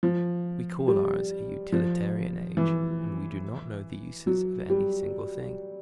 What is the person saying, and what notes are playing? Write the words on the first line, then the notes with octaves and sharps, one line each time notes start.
We call ours a utilitarian age, and we do not know the uses of any single thing.
F3
G3
F3
E3
F#3
G3